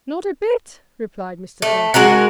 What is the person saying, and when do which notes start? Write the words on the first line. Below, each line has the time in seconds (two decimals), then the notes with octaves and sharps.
'Not a bit,' replied Mr. Thornton.
1.62 A3
1.94 G#3 F#4 A#4 F#5